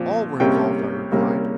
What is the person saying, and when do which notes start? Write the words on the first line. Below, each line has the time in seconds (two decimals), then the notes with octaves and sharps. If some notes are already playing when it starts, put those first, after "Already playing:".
"All were involved," I replied.
Already playing: A#2 F3 C4
0.40 C2 C3 G3 A#3 C#4 G5
1.12 C2 C3 G3 A#3 C#4